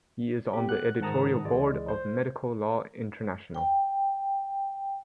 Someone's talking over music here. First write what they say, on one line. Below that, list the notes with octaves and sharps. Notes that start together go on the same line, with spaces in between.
He is on the editorial board of Medical Law International.
B3 G4
F#5 F#6
G#2 D#3 F#5 A5 A#5 D#6
C#2 E3 G#3 D5
C5
G5